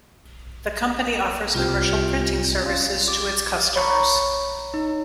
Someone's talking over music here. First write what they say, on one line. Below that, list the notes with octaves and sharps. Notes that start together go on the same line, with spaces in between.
The company offers commercial printing services to its customers.
C2 C4 F4 G4
C#4 F4
G4 D6
C#5 A#5 B5 C#6
D#4